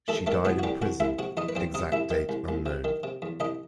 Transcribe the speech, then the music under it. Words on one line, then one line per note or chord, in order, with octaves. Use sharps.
She died in prison, exact date unknown.
D#2 A3 A4
D#3 A3 A4
C2 B3 B4
F#4
C2 G3 G4
C2 F#4 F#5
C2 E4 E5
C3 F#4 F#5
E2 D#4 D#5
B4
E2 C4 C5
C3 D#4 D#5
C2 E4 E5
D#3
C2
C2
C3
D#3
C3
E2
C2 D#4 D#5